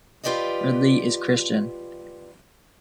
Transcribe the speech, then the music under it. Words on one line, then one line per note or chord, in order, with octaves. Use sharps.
Ridley is Christian.
F4 G4 B4 D5 D#5